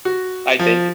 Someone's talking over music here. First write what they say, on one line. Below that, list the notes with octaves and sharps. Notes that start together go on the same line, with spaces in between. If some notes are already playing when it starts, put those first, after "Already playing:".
I think
F#4
F3